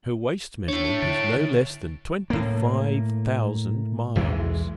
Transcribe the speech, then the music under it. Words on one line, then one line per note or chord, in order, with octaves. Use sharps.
Her waist measurement is no less than twenty-five thousand miles.
D4 E4 C#5
D3
A2 A#3
B1 E2 E3 G#3